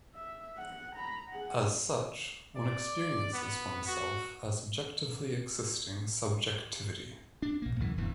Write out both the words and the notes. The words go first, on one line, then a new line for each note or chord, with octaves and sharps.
As such, one experiences oneself as objectively existing subjectivity.
E5
F#5
A#5 B5
G#4 F#5
D5
B3
F#4
D4
A#1 A#3
C2 F#2 E3
D1 E2 G2 E3